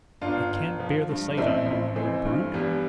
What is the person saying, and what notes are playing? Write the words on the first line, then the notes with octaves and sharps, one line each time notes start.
I can't bear the sight on you, you brute.'
G1 D4 F4
G1
F3
G2
D4
A1 C4 E4
A1
E3 A3 C4
G2
E2 G3 B3